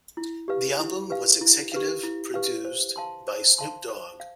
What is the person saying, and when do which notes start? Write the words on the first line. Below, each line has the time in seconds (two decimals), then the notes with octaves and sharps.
The album was executive produced by Snoop Dogg.
0.17 E4
0.48 G4 B4 F5
0.80 E4
1.10 G4 B4 F5
1.41 E4
1.72 G4 B4 F5
2.03 E4
2.34 G4 B4 F5
2.65 C5
2.96 F5 A5 C6
3.28 C5
3.58 F5 A5 C6
3.89 C5
4.20 F5